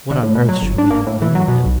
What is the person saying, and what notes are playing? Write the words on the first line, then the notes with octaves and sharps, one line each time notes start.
"What on earth should we have done with him?"
D3
A2
B2
F#3
G1
D4
A#3
A2
E3
F#3
B2
B1